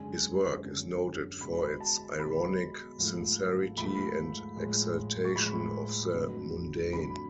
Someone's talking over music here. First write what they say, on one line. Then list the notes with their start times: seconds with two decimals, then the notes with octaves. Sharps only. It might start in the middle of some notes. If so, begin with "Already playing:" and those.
His work is noted for its ironic sincerity and exaltation of the mundane.
Already playing: F#2 D3 G#3 G#5
0.62 F#2 D3 G#3
1.41 B2 G#3 B5
1.80 A5
2.20 B2 G#3 B5
2.99 G#2 F3 A3
3.78 G#2 F3 A3 B5
4.56 A2 F3 G#3
5.25 C#6
5.35 A2 F3 G#3 B5
6.14 F2 D3 F#3 A3
6.93 F2 D3 F#3 A3 B5